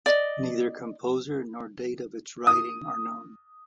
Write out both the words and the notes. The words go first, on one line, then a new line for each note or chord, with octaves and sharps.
Neither composer nor date of its writing are known.
D5 D#5
D#6